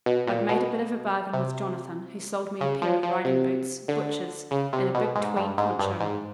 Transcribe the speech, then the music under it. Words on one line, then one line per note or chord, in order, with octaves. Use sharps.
I'd made a bit of a bargain with Jonathan, who sold me a pair of riding boots, butcher's, and a big tweed poncho.
B2
A#2
B2
C3
C#3
F3
F3
C3
D3
C#3
C3
B2
G#2
G2
G#2
G2
G#2